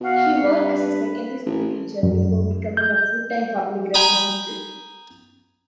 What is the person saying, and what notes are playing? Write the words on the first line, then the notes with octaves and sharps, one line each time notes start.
He worked as a secondary school teacher before becoming a full-time public representative.
B2 F#4 F5 F#5
G2 B4
A1
F#2
G6
G5 G#5 A#5 B5 D#6